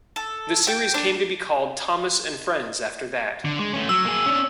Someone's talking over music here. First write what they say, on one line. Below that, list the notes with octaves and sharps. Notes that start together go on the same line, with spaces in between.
The series came to be called Thomas and Friends after that.
A4
G5
D4
D3
G#3
A3 C#4
F#3 E6
A#3 G#4
C#4 D4